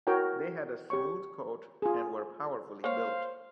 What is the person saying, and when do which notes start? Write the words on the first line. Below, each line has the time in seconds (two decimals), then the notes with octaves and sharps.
They had a smooth coat and were powerfully built.
0.07 E4 F#4 A#4 C#5 G5
0.90 G4 C#5 C#6
1.82 F4 G#4
2.84 A#3 C5 C#5 F5